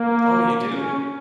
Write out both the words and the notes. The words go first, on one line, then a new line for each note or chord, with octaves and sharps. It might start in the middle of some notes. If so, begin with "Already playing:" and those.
Oh, you do?
Already playing: A#3
C#4